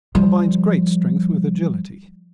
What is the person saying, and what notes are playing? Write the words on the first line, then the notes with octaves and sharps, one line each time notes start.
Combines great strength with agility.
F3 G3